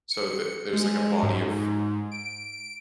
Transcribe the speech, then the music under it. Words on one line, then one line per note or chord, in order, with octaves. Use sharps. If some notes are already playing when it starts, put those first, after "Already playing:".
so the there's, like, a body of
C#7
G#3
G#2
D7